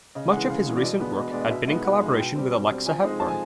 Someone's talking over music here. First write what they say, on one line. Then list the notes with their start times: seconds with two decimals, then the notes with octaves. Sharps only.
Much of his recent work has been in collaboration with Alexa Hepburn.
0.15 C#3 D#5
0.32 E3 G#3 F#5
0.49 C#3 F5
0.66 E3 G#3
0.77 D5
0.83 B2 D#5
1.00 G#3 B3 D4
1.17 B2 D#5
1.31 G#3 B3 D4 D5
1.41 D#5
1.51 B2 E5
1.67 G#3 B3 D#4 E5
1.85 B2 F#5
2.01 G#3 B3 D#4
2.18 B2 G5
2.35 G3 C4
2.52 B2
2.69 G3 C4
2.86 F3 G#5
3.03 G#3 C4 D#4
3.20 F3 A5
3.28 G#5